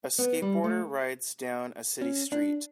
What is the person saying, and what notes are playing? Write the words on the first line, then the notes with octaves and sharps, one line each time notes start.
A skateboarder rides down a city street.
B3
G3
A3
C#4
D4